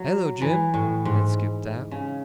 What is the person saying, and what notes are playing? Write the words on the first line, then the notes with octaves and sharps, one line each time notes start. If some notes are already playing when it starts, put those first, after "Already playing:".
"Hello, Jim!" and skipped out.
Already playing: F#3
E3
A2
G#2
C#3